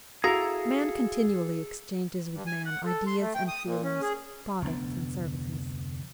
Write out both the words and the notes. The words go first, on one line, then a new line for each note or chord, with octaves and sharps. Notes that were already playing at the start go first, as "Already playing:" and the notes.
Man continually exchanges with man ideas and feelings, products and services.
E4 F#4 G#4 A4 F5 A#5 A#6
G2
G#5
F#5
A4
C6
A3
G5
D#6
A#2
C#4
G#4
F1 D2 B3 D4